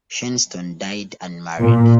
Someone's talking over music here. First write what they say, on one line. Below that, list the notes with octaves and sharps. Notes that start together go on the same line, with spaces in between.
Shenstone died unmarried.
A#2